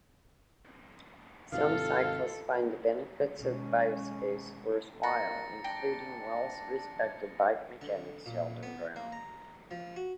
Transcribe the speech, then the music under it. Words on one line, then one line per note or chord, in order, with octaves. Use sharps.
Some cyclists find the benefits of Biopace worthwhile, including well-respected bike mechanic Sheldon Brown.
G#1 C3 D#3 F4 A4 F5
B2 D#3 G#3 C#4
A#2 A#5 F#6 A6 A#6 C#7
D4 G5 A#6
D3
A#2
B3
A#3
A#5
F3
F#4